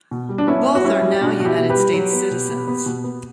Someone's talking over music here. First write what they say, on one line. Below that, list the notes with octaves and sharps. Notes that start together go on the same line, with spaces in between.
Both are now United States citizens.
B2
G3
D4
B3 C#4 E4
B3
F#4
G3 C#4 E4
G3
G4
B2 D4 F#4
B2 F#4
E4 G4
B2
G4 B4
G3
F#3
B3
B2
B2
B3
B2
B3